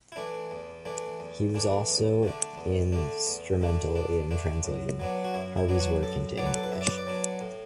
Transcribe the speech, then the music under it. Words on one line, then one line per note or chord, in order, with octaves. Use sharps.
He was also instrumental in translating Havel's works into English.
E4
E3 A3 D4
E2
E3 A3 D4
E2
E3 A3 D4
E2
D3 A3 D4
E2
D3 A3 D4
E2
D3 A3 D4
E2 D4
D3 A3 D4
F#2
F#3 B3 D4
F#4
F#2 E4
E4
F#3 B3 D4
F#4
F#2 A4
F#3 B3 D4 D5
B4
A4
B4
F#2 E5
D5
B4
D5
F#3 B3 D4
A2